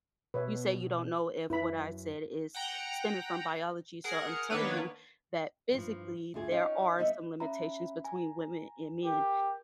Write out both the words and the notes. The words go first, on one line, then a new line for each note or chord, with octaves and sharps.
you say you don't know if what I said is stemming from biology, so I'm telling you that, physically, there are some limitations between women and men,
B2 B4 C#5 E5
F#2 E4 B4 B5
F#5 G5 A#5
G#4 A#4 F#5
D#3 A#3 B3 D4 B4 C#5
G2 E3 F3
D2 G2 F4 G#4
C#4 D#4 F4 F5 G5
G3 B3 D#4 D#5 E5
C#4 E5 A#5 B5
G#5 A#5
G4 A#4